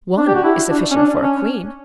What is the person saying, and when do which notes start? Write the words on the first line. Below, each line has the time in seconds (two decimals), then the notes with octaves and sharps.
One is sufficient for a queen.
0.17 D4
0.27 G4
0.35 F#4
0.44 E4
0.71 D4
0.91 C#4
0.96 D4
1.23 C#4